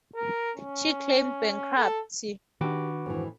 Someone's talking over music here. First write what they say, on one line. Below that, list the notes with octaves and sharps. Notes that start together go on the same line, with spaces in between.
She claimed bankruptcy.
A#4
C#4
A4
D#3 D4 F#4 G4 B4 D6
F2 G#2 E3